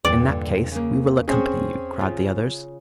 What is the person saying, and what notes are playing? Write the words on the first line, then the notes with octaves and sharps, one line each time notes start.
"In that case we will accompany you," cried the others.
E2 G2 A#2 D3 D5
C#3 A#3
C4 C#4 G#4 C5 C#5
C#3 F4